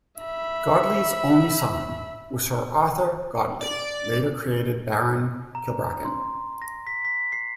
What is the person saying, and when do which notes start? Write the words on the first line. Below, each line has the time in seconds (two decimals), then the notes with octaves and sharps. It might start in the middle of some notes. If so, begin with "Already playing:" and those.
Godley's only son was Sir Arthur Godley, later created Baron Kilbracken.
0.20 E5 B5
3.61 D5
5.55 A#5
5.89 A#5
6.05 C6
6.62 A#6
6.87 B6
7.05 B6
7.32 C7